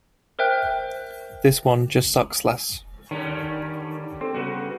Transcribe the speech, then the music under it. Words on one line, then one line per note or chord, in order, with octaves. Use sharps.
This one just sucks less.
A#4 C5 E5 G5 F#6
D3 D#3 G3 C#4
C4 A4
C#3 G3 B3 F#4